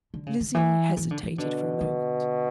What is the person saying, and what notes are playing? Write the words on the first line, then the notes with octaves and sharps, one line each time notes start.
Lizzie hesitated for a moment.
D3
C#3
D3
E3
E3
D3
E3
B2 D3
D3